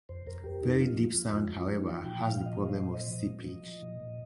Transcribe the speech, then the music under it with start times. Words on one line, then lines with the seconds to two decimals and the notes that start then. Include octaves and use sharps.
Very deep sand; however, has the problem of seepage.
0.09 F2 C5
0.27 F2 A#4
0.44 F2 G4
0.62 F2 D#4
0.80 F3 F4
0.98 F3
1.04 F4
1.15 F3
1.27 F4
1.33 F2
1.51 F3 F4
1.69 F3 D#4
1.86 F3 F4
2.04 A#2 G5
2.21 F3 F5
2.40 A#2 F5
2.46 D#5
2.58 A#2 D#5
2.69 C5
2.76 A#2
2.93 F3 D#5
3.11 A#2
3.29 F3
3.47 F3
3.64 F3
3.82 A#2
4.00 A#2